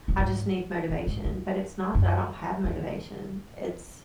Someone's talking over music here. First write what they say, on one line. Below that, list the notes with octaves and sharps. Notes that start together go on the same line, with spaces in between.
I just need motivation, but it's not that I don't have motivation, it's
F#3
G#2
F#2
G#2
E2
F#2
F#2